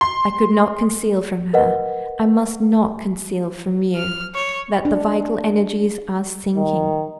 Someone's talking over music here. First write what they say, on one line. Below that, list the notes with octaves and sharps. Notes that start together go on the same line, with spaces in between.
I could not conceal from her--I must not conceal from you--that the vital energies are sinking.
C6
A#4 B4 D#5 F#5
F6
C#5
D4
D#3